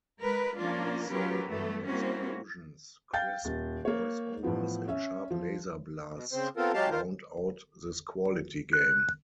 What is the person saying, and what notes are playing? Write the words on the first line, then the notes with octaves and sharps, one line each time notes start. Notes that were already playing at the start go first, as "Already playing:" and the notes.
Resounding explosions, crisp voice-overs, and sharp laser blasts round out this quality game.
G#3 A#4 B4
F3 A#3 C#4 D4 F4
F#3 C#4 F4 G4 A#4 B4
G2 E3 A3 B3
G3 A#3 C4 C#4 E4 F#4
F5 G5 G6 A6
D#1
A#3 C#5
A2 E3 F3 B3
C#4 E5
F3
B2
C#3 C4 C5
B3 C4 F4 A4 A#4
F#3 G#3 G4 F5 A5
F4 A#4 C5
F#6